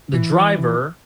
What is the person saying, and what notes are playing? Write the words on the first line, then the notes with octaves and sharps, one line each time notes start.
the driver,
E3